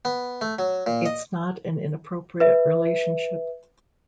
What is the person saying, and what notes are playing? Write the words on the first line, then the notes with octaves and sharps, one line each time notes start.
It's not an inappropriate relationship.
B3
A3
F#3
A#2
D#5
B4 E5